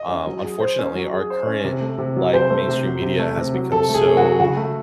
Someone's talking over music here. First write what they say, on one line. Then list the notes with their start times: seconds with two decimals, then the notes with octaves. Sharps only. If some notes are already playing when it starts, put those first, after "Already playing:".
uh, unfortunately, our current, like, mainstream media has become so
Already playing: D#5
0.09 C#4
0.27 F#3
0.44 G#4
0.60 C5
0.79 C#4
0.95 F#3
1.12 G#4
1.30 C5
1.47 C#4
1.64 C3
1.81 A3
1.98 C3
2.16 F#3
2.33 C3 C5
2.50 A3
2.68 C3
2.86 F#3
3.02 C3
3.19 A3
3.37 C3
3.54 F#3
3.72 C3 A4
3.89 A3
3.94 G#4
4.05 C3
4.17 F#4
4.23 F#3
4.40 C#3 F#4
4.57 A3